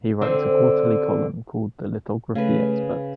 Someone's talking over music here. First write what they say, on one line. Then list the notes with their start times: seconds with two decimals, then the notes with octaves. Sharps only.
He writes a quarterly column called the Lithography Expert.
0.21 D3 C4 C5
2.35 C#3 A3 B4